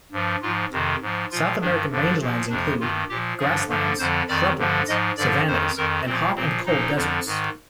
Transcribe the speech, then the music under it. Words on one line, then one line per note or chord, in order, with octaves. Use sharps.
South American rangelands include; grasslands, shrublands, savannas, and hot and cold deserts.
G2 F3
G#2 F3 F4
F2 C3 D#3
G#2 F3
A#2 F3 F4
G2 D#3 D4
G2 D3 F3
A#2 F3
F2 C3 F3 D4
G2 D#3 F4
A#2 F3 G4
G2 D3 F3 G#4
G2 D3 F3
F2 D3 F3 C5
F2 D#3 D5
G2 D3 F3
G#2 F3 D#5
G2 D3 F3 D5
F2 D#3 C5
F2 D#3 A#4
A#2 F3 C4
A#2 F3 C4
A#2 F3 D#4
F2 D3 F3
G#2 D#3